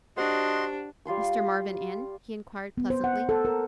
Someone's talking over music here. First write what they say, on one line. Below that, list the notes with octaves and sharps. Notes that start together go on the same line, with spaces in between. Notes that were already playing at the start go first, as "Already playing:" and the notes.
"Mr. Marvin in?" he inquired, pleasantly.
D4 F#4 G4 C5 D#5 F#5 C6
G3 F4 C6 C#6
B3
C5
F#5
A4
A#4